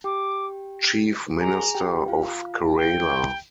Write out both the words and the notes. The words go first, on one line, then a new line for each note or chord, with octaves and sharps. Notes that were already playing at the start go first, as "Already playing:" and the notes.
Chief Minister of Kerala.
G4 G5 D6
G#4 G#5 A#5
G4 G5
F4 F5
G5